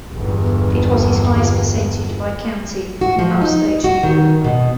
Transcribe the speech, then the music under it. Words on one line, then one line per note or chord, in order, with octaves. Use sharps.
It was his highest percentage by county in upstate New York.
G1 E2
F#4
F3
D#4
F#4
D#3
B2